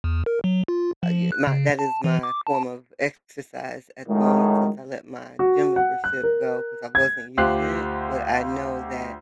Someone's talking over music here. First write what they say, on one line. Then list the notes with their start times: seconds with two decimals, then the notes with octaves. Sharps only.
Uh, ye my that is my form of exercise at the moment since I let my gym membership go 'cause I wasn't using it. But I know that,
0.04 E2
0.26 A#4
0.44 F#3
0.68 F4
1.03 F3
1.32 F#6
1.47 C#3
1.79 A5
2.04 E3
2.23 D6
2.47 A5
4.08 F#2 A2 D#3 G#3
5.39 F#4
5.76 F#5
6.04 F#6
6.23 A#4
6.95 G#6
7.37 D2 F4 G4 C5 F#6 C7